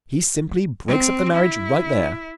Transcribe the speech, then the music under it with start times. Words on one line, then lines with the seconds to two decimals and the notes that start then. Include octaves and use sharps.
He simply breaks up the marriage right there.
0.87 C4
1.35 E4